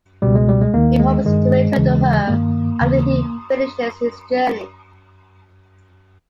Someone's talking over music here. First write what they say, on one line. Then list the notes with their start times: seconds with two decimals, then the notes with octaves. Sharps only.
He promises to return to her after he finishes his journey.
0.22 C#2 B2 G3
0.35 G#3
0.49 G3
0.61 G#3
0.74 D#2 D#3 A#3
1.00 G#3
1.25 G2 D#3 G#3
1.76 D#2 C#3 E3
2.28 G2 D#3 A#3
2.80 D#2 C#3 E3